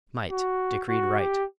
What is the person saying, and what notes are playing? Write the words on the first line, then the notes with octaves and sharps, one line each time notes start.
Might decreed right.
F#4
F#4
G4